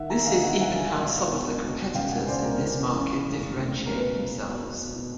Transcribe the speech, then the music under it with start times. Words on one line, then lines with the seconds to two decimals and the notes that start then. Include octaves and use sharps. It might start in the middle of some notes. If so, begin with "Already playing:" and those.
This is even how some of the competitors in this market differentiate themselves.
Already playing: D#3 E5 F#5
0.10 G#5 A#5
0.26 D2 D#5 F5
0.43 E5 F#5
0.60 E1 F#5 G#5
0.94 E1
1.27 B2
1.62 B2
1.94 C#2 F5 G5
2.11 F#5 G#5
2.28 C#2 C5 D5
2.44 A#4
2.62 E3
2.95 C#3
3.29 F1
3.62 F1
3.86 A#4
3.95 B2 B4
4.29 B2
4.63 B2
4.96 B2